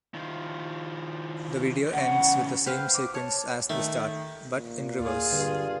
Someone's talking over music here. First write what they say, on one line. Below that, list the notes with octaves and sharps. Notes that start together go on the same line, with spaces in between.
The video ends with the same sequence as the start, but in reverse.
D#3 F3
E2 C#3 F#5
B4 C5 F5 G5
D6
C#5 A5
D#3 A3
A#2
D#2 F4 G#4
G2 D3